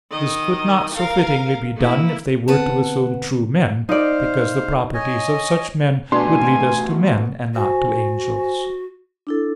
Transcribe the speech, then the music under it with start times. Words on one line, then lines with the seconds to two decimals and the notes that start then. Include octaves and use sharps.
This could not so fittingly be done if they were to assume true men; because the properties of such men would lead us to men, and not to angels.
0.11 D#3 D#5
0.95 A#4 F5
1.76 A#3 E4
2.48 D3 B3 C4 B4 F#5 A5
3.89 D#4 C5 D5 F5
4.94 C#5 D#5 G#5
6.12 B2 A3 C#4 D4 G4 G#5 C6
7.55 F#4 C5 G#5
9.27 D4 E4 A4